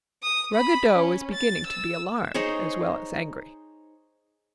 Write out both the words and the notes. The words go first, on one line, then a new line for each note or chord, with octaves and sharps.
Ruggedo was beginning to be alarmed as well as angry.
D#6
B5
C#4
A6
E6
D#4 G#4 C5 C#5